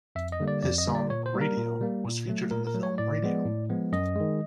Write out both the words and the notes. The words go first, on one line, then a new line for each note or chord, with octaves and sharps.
His song "Radio" was featured in the film Radio.
F2 E5
D#5
D3 G3 A#3
D5
F2 D5
D#5
D3 G3 A#3
D5
A#2 C#5
C5
G3 A#3
A#4
A#2
G3 A#3
A#2
F#3 A3
A#2 A#4
A#4
F#3 A3
C#5
A2 D5
F3 G#3 B3
A2
F3 G#3 B3
F#2 D#5
D#3 G#3